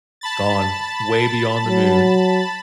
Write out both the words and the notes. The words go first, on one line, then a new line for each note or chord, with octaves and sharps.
gone way beyond the moon
A5 B5 A6
F#3